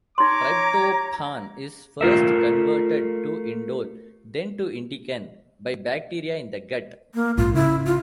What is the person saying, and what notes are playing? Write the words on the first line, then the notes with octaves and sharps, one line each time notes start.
Tryptophan is first converted to indole, then to indican by bacteria in the gut.
D#4 C#5 A#5 C6 D6
A3 F4 A#4 E5
A#3
A#1 G#2 F4
C#3 E4
F4